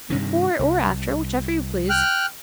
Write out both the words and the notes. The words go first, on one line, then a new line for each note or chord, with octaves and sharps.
"Before or after, whichever you please."
G2 C3 D#3
C2
G5 F6 F#6